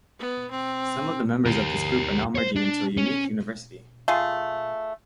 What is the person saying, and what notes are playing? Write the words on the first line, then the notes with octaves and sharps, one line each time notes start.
Some of the members of this group are now merging into a unique university.
B3
C4
G4 A#4
C5 C#5
D4
C#4
A3 F4 G#4